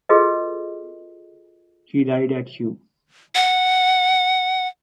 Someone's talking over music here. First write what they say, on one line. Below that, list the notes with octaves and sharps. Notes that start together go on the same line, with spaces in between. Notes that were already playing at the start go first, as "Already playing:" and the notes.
He died at Huy.
F4 F#4 G#4 A4 B4 D#5
F#5